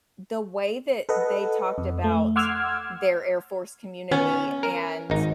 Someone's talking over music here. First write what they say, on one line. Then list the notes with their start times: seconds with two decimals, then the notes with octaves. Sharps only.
the way that they talked about their Air Force community, and
1.09 A4 B4 D#5 F#5
1.78 F2
2.04 A3
2.36 F#5 C6 D6 E6 F6 G#6
4.12 B3 C#4
4.63 A#4
5.10 G#1 D#4